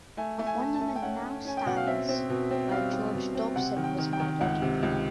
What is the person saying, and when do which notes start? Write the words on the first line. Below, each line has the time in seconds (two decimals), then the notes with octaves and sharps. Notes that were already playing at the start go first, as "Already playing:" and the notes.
A monument now stands where George Dobson was murdered.
0.17 A3 G#5
0.39 A3
0.47 G#5
0.60 A3
0.75 A5
0.81 A3
0.96 G5
1.03 C#4 F#5
1.23 C#4
1.45 C#4 G#5
1.57 G5
1.66 B2 F#5
1.77 F5
1.87 C4 E5
2.09 C4
2.29 B2
2.51 C4
2.71 G3 F5
2.93 G3
3.14 B2
3.35 C4
3.56 C3 F#5
3.77 D#3
3.84 G5
3.98 D#3
4.13 G5
4.20 D#3
4.41 C#2 F#5
4.62 C3
4.83 C#2